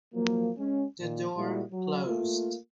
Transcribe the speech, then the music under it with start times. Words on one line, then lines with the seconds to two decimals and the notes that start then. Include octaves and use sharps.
The door closed.
0.13 F3 F#3 A#3
0.58 G#3 C#4
1.00 A#2 D#3
1.35 A#2 G3 G#3 E4 F#4
1.72 F#3
2.05 A3 A#3 F4